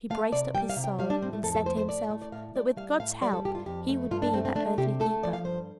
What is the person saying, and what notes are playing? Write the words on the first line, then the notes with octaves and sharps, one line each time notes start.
He braced up his soul, and said to himself, that with God's help he would be that earthly keeper.
A3 F5
C3 D5
G3 G5
F5
C3
G5
G3 F5
D4
A2 C4
A3
F2 A4
A4
A3 C5
C5
A2 D5
A3
D5
A2 F5
A3 D5
G3 F5
A2 F5
G3 D5
A4
G2 G4
F4
F2 G4
A3
G2 F4
D4
A3 C4
C4
A3 D4
C3 G4
A3 A4
F3 D5
F5
G2 C5